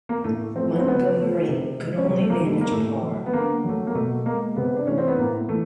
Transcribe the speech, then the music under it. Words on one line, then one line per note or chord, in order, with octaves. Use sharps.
Montgomerie could only manage par.
A#3
A2 A3
F3 A3 C4
B3
C4
C#3 B3
F3 A3
C3
F3 G#3
C#4
C3 C4
A3
A#3
D#3 G3
A3
A#3
A2 A3
F#3 A3
B3
D3 A#3
F#3 A3
A#3
B2 A3
G#3 A#3
C3 B3
D4
E3 A3 C#4
C4
B3
A2 A#3
E3 A3